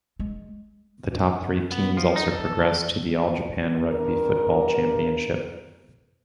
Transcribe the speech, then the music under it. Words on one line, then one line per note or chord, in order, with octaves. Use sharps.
The top three teams also progressed to the All-Japan Rugby Football Championship.
G#3
B3
F3
D#4
A4
G2 A#4